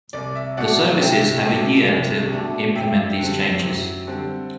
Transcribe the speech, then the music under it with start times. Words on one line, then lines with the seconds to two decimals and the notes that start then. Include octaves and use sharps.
The services have a year to implement these changes.
0.13 C2 D5
0.35 E5
0.57 B2 A3 D5 F#5
1.00 C2 E5 G5
1.45 B2 A3 D4
1.88 C2
2.32 B2 A3 D4
2.76 F#2 E5 G5
3.19 D3 G3 C4
3.64 F#2
4.07 D3 G3 C4